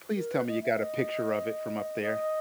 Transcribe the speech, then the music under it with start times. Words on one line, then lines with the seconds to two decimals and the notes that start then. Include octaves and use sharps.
Please tell me you got a picture of it from up there.
0.16 A#4
0.32 B4
0.47 D#5
0.62 E5
0.78 D#5
2.02 D#5